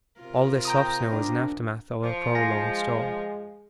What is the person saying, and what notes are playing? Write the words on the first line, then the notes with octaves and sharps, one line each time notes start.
All this soft snow is an aftermath of our prolonged storm.
C3 F4 A#4
G5 A#5 D#6
D4
F3
G#3 F5 G#5 A#6